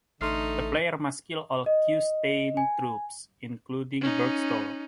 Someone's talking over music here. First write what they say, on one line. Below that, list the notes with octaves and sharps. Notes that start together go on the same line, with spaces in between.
The player must kill all Q-Stein troops, including Bergstrom.
A1 D3 A3 D#4 C6 F6 C7
D#5
G#5
C#4 D#4